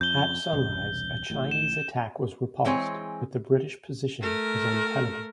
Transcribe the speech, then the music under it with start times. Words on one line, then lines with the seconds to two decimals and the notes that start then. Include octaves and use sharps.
At sunrise a Chinese attack was repulsed, but the British position was untenable.
0.01 F2 G6 G7
0.53 E1 C2
1.30 A1 A2
1.51 E7
2.65 E3 G#3 C4 C#5 G#5
4.21 A3 A#4